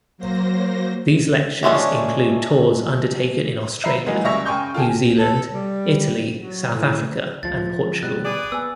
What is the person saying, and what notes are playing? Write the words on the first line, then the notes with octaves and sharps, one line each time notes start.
These lectures include tours undertaken in Australia, New Zealand, Italy, South Africa and Portugal.
F#3 A#3 C5 A#6
E3 G#3 A3 C#4 D4
E5 A#5 B5 C7
E3 F#3 G#3 A#3 D#4
C#2 G3 E5 C#6 A#6 F7
C#3 G5 G#5 C6 C#6 G6
F4 A4 G5 G#5
A4
G3
F#3
A2
C#2 F3 A6
F3
B2 G3 F#6
G#4 B4 D5
B3 G#5 E6